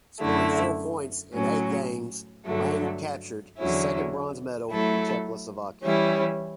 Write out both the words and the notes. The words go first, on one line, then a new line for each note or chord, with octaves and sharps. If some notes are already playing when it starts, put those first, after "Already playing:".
Scoring four points in eight games, Lang captured his second bronze medal with Czechoslovakia.
F#2 D3 A3 E4
A2 F#3 C#4
G2 D3 F#3 A3
E2 D3 F#3 C#4 E4
F#3 A3 E4 A4
E3 G3 C#4 E4